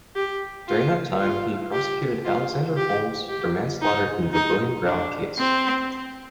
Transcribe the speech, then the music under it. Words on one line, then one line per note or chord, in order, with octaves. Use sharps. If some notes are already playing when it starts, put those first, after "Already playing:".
During that time, he prosecuted Alexander Holmes for manslaughter in the "William Brown" case.
G4
F4
F4
G4
F4
G4
G4
D#4
D#4
D4
C4